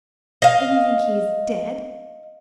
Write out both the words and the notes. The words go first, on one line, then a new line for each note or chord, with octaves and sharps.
"Then you think he's--dead?"
D#5 F5